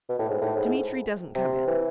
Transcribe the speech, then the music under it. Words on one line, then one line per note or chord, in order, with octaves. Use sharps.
Dmitri doesn't come in.
B2
A2
G#2
A2
G#2
C3
E3